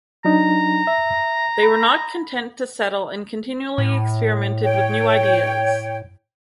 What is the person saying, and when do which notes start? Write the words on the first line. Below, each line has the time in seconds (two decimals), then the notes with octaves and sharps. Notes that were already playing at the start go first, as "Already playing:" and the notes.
They were not content to settle and continually experimented with new ideas.
0.25 F#3 D4 D#4 A#5
0.87 E5
1.63 B5
3.78 A2
4.63 C#5 G5